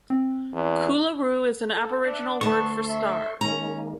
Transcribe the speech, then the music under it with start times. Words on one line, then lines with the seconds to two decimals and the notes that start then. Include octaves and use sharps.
Coolaroo is an Aboriginal word for 'star'.
0.10 C4
0.53 E2
1.74 A4
2.04 D4 E5 F#5
2.41 D2 B3 A4 A5 C6 C#6
2.89 E5
3.41 D#3 G#3 A#3 C#4 A#5